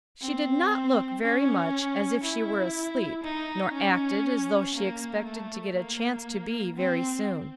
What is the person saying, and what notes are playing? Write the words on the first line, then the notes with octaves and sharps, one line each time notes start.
She did not look very much as if she were asleep, nor acted as though she expected to get a chance to be very soon.
C4
C#4
E4
D#4
C#4
A#3
A3
A#3
C4